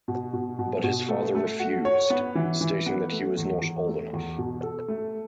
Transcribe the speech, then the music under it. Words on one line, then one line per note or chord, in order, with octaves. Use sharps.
But his father refused, stating that he was not old enough.
B2
B2
B2
B2
A3
A3
F#4
C#5
B3
E3
E3
B3
A3
E2
E2
A3
E2
B2
A4
A3